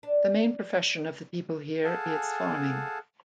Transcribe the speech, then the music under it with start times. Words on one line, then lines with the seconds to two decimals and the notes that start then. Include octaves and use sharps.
The main profession of the people here is farming.
0.03 D4
1.84 G#4 A4 F5 F#5 G#5 A5